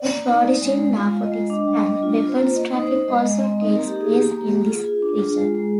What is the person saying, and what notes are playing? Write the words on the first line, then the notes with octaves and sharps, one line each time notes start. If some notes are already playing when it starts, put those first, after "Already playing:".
A flourishing narcotics and weapons traffic also takes place in this region.
Already playing: D5
A#3
D#4
D#4
G#3
G#3
F4 F5
F4
D#5
G#3
D4 D#5
G3
D#5
D4
F4
F4
C5
A#3
A#3 D#5
D#4
C5
D#4
G#3 D#5
G#3
D#5
C4
D#4 D#5
A#3 A#4
G4
D#4 G#4
A#3 G4
A#3
A#3
F4 G#4
F4
D4
F4
G#3
G#3